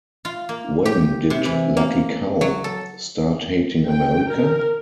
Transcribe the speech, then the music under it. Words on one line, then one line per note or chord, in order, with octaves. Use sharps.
When did Lucky Cow start hating America?!
F4
A#3
G4
C3
E3
A#3
F#3
A4
G5
A#4